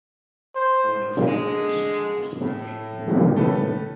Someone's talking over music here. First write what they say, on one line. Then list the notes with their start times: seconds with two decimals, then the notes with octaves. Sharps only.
Only a few males do most of the breeding.
0.56 C5
1.26 D3 G#3
2.41 A2
3.36 A2 A3 C#4 B4